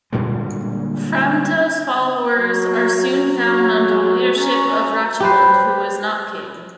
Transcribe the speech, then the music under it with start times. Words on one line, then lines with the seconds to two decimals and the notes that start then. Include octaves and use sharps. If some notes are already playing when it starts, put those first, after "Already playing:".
Framta's followers are soon found under the leadership of Rechimund, who was not king.
0.13 A#2 D3 G3 G#3
2.38 F#3
3.36 F#3
4.37 C#4 A#5
5.20 G4 B4 C5